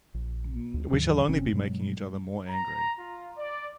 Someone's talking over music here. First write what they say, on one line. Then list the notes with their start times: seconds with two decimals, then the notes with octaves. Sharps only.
We shall only be making each other more angry.
0.14 A#1
0.74 D2
0.92 D#2 G#2 D#3 F#3
1.28 F1 C3 C4 C#4
1.53 G2 B2 F#3 G#3
2.48 A#5
2.97 F4
3.37 D5